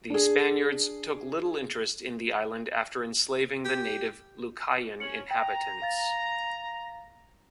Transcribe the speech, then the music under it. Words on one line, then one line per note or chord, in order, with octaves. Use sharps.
The Spaniards took little interest in the island after enslaving the native Lucayan inhabitants.
D4 G#4
G4
C#4 C#7 F#7
G5 A#5
F5 A6